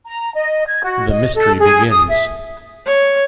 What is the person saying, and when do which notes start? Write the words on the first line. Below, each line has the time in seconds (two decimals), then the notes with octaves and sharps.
The Mystery Begins.
0.06 A#5
0.34 D#5
0.66 G#6
0.83 F#4
1.09 D#5
1.35 A4
1.60 G#4
1.90 D#6
2.08 E5
2.87 C#5